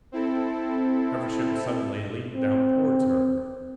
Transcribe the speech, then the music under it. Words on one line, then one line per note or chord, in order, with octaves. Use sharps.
Feversham suddenly leaned down towards her.
C4 E4 A4
C4